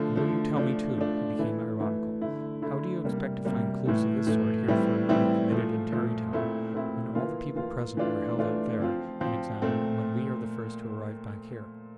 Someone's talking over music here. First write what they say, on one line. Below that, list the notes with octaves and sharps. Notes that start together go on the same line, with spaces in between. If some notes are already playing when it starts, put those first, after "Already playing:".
And will you tell me, too"--he became ironical--"how do you expect to find clues of this sort here for a murder committed in Tarrytown when all the people present were held out there and examined, when we are the first to arrive back here?
Already playing: D3 F3 A3
D3 F3 A3
F3 A3 D4
F3 A3 D4
E3 A3 E4
E3 A3 E4
D3 A3 E4
D3 A3 E4
C3 G3 A#3
C3 G3 A#3
A2 E3 A3
A2 E3 A3
A2 E3 G3 C4 E4
A2 E3 G3 C4 E4
A#2 F3 A3
A#2 F3 A3
A#2 A3 C4 E4
A#2 A3 C4 E4
E3 A#3 F4
E3 A#3 F4
E3 A3 D4 F4
E3 A3 D4 F4
F3 C4 F4
F3 C4 F4
A#2 A3 C4